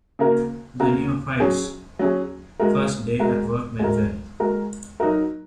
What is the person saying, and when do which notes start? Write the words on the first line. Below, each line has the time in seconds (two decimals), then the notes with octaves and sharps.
The neophyte's first day at work went well.
0.19 C#3 A#3 F#4 A#4
0.80 C#3 A#3 F#4 A#4
1.40 F#3 C#4 G#4
1.99 F#3 C#4 G#4
2.60 G#3 F#4 A#4
3.19 G#3 F#4 A#4
3.79 G#3 F#4 A#4
4.40 G#3 F#4 A#4
5.00 F#3 D#4 F#4 A#4